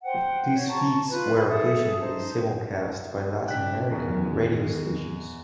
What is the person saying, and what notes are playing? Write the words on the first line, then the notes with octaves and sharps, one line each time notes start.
These feeds were occasionally simulcast by Latin American radio stations.
C5 F#5 G5
C#5
A5 A#5 C#6
F4 B4
G#4 A4 E5 D#6
D#4 C5 A5
G#2 C#3 D4 G5 F#6 B6
E2 D#3 G#3